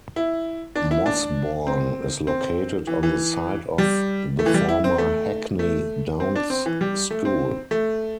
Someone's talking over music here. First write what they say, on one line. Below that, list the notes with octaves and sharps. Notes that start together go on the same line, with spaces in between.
Mossbourne is located on the site of the former Hackney Downs School.
E4
D4
E4
D4
C4
C4
E3
E3
G3
A3
E3
G3
E4
C4
A3
A3
C4
D4
C4
E3
G3
A3
C4
A3